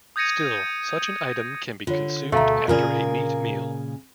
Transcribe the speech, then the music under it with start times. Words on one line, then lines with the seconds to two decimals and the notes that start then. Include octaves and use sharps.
Still, such an item can be consumed after a meat meal.
0.16 D#6 G6 G#6 A#6 C#7 D#7
1.87 D3 F4 C#5
2.32 D2 B2 A3 E5 F5 A#5
2.68 A#2 C#3 A#3 F4 G#4 A#4 D5